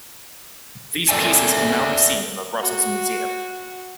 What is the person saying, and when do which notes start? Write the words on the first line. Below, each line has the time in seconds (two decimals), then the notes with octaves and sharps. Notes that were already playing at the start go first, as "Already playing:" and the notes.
These pieces can now be seen in the Brussels museum.
1.09 A4 A#4 D5 E5 G5 G#5
2.59 F#4